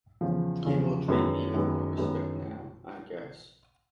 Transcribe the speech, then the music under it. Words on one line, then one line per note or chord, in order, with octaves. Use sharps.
They will treat me with more respect now, I guess.
E2 C#3 F3
E2 C#3 F3
F#2 D#3 G#3 B3
F#2 D#3 G#3 B3
F#2 D#3 G#3 B3